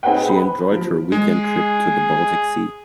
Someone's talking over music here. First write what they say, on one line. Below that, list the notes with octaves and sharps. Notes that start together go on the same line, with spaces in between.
She enjoyed her weekend trip to the Baltic sea.
C4 D#4 G#4 B4 F#5 G5
B4 B5
F3
G#3 G#4